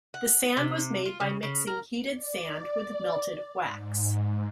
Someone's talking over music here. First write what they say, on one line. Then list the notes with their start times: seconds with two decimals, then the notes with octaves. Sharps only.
The sand was made by mixing heated sand with melted wax.
0.14 F#5
0.57 C3
1.05 F4
1.20 C#3
1.43 C#3
1.67 A#4
2.10 D5
3.61 G#2